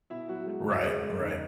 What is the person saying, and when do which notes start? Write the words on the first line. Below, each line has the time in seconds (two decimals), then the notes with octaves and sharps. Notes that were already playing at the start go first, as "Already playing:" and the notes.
Right. Right.
0.10 B2 E4 E5
0.28 F#3 F#4
0.46 G#3 F#4
0.65 C#3
0.83 C#3 G#3 G#4
1.01 G#3
1.19 C#3 D#4 D#5